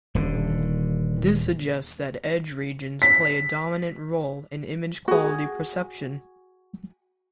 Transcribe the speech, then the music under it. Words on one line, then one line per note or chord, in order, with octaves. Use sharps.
This suggests that edge regions play a dominant role in image quality perception.
D#1 D3
B6
F#4 G#4